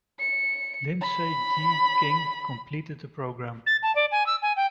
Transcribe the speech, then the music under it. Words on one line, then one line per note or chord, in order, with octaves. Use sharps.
Lindsay G. King, completed the program.
C#7
B5
A6
A5
D5
G#5
E6
G#5
G5